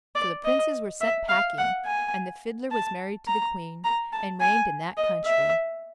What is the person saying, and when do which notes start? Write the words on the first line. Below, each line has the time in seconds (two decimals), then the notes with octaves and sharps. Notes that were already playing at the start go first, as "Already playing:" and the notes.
So the princes were sent packing, and the Fiddler was married to the queen, and reigned in that country.
0.15 D5
0.44 D#5
1.01 E5
1.29 F5
1.58 F#5
1.86 G#5
2.71 A5
3.27 A#5
3.84 A#5
4.13 A5
4.41 G#5
4.97 D#5
5.26 E5